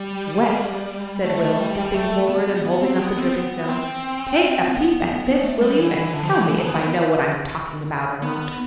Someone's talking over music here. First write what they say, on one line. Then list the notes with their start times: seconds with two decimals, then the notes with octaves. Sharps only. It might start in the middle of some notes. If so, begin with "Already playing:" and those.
"Well," said Will, stepping forward and holding up a dripping film, "take a peep at this, will you, and tell me if I know what I'm talking about or not!"
Already playing: G3
1.24 A3
1.60 G3
1.94 A3
2.29 B3
2.65 B3
2.81 C4
3.00 B3
3.17 C4
3.34 B3
3.69 C4
4.68 C4
4.73 B3
5.43 A3
5.61 G3
5.79 E3
5.96 E3
6.13 D3
6.23 F3
6.30 E3
6.48 E3
6.65 B3
8.22 B3